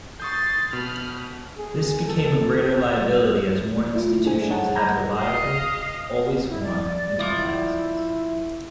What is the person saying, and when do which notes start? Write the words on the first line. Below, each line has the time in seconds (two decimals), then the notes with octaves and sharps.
This became a greater liability as more institutions had reliable, "always-on" Internet access.
0.20 C6 C#6 D#6 G6 A6
0.73 B2 B5 F6
1.58 G#4
2.07 A4
3.94 A3 E4 F4
4.25 A3 D4 G#4 C5 G#5
4.49 D#4 G#4 C#5 F#5 A5
4.75 A#5 B5 G6 G#6 A#6
5.18 D#5 F5
6.49 E4
6.63 D5
7.19 F3 E4 D5